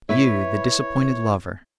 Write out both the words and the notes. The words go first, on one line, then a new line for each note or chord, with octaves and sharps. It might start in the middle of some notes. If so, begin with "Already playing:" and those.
'You, the disappointed lover?
E4 B4 C#5 E5